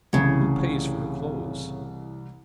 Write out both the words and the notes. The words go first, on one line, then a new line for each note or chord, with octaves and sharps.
Who pays for her clothes?
C2 A2 C#3 E3